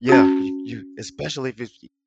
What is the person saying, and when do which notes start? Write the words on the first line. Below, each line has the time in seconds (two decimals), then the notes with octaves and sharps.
Yeah, c you you especially if it's y
0.09 C#4 F#4